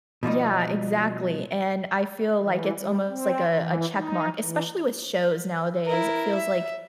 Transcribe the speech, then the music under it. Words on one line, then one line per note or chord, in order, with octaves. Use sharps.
Yeah, exactly, and I feel like it's almost, like, a a check mark, especially with shows nowadays, it feels like
B2 F3 G3 D#4
E3
G3
C4
E3
D#4
E3
E4 A#4
E5